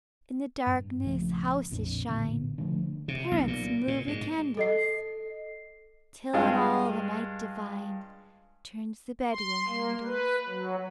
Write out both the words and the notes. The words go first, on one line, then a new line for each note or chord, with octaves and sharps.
In the darkness houses shine, Parents move the candles; Till on all the night divine Turns the bedroom handles.
G2
A#1 C#3 F3 A3
A#1 F2 A#2 D4
A1 A#2 D3 B3
D3 F3 A3
C3
B1
A#2
A#2
G#2
A4 D#5 C7
G2 G#3 F4
C6
A#3
B4
F#3